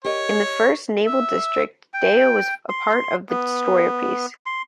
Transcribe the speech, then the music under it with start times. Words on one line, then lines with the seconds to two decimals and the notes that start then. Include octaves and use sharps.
In the First Naval District, Deyo was a part of the destroyer piece.
0.04 G4 A#4 C#5 D#5
1.06 E5
1.94 G5
2.69 C6
3.29 B3
4.46 C6